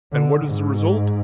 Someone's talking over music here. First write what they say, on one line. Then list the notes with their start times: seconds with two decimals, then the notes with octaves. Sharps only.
And what is the result?
0.12 D3
0.44 G#2